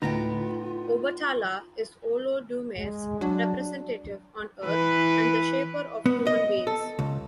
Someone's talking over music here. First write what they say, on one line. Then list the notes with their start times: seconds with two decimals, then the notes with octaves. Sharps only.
Obatala is Olodumare's representative on earth and the shaper of human beings.
0.02 D2 A2 B3 D#4 F4 B4 G5 A#5
2.78 G#3
3.21 F#3 D4
4.64 E3 B4
6.06 B3
6.27 D#5
6.67 A4
6.99 C#2